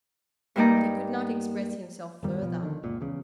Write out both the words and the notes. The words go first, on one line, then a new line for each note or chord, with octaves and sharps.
But he could not express himself further.
G2 G3 A#3 D#4 D5 A#5
E2 G2 D#3 G3
B1 B2 F3
D3 D#3
F#1 C#2 A#2
E2 C#3